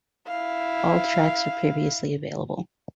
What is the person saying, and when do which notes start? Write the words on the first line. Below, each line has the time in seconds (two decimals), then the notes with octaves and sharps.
All tracks are previously available.
0.27 E4 F5